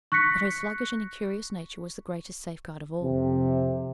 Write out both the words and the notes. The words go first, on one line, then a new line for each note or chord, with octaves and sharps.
But her sluggish and incurious nature was the greatest safeguard of all.
C#6 F#6 A#6 B6 C#7
F2 C3